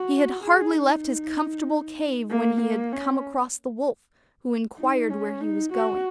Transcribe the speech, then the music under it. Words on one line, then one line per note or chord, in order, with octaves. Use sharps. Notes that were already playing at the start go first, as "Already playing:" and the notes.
He had hardly left his comfortable cave when he had come across the wolf, who inquired where he was going.
Already playing: F#4
G#4
D#4
A#3
A#3
C#4
D#4
C#4
D#4
F#4